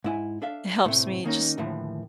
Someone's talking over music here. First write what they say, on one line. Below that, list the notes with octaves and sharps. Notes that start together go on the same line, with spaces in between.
it helps me just,
G#2 E4 G#5
D4 A4 E5 F5
A2 C3 A3 C4
D#3 A#3 C#4 D#4
D#2 A2 D3 E3 F3